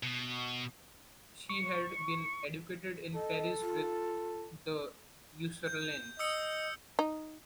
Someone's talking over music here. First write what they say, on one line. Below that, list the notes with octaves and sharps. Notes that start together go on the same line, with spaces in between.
She had been educated in Paris with the Ursulines.
B2
C#6
A4 D#5
F4
G6
D#5 D#6 E6 C#7
D#4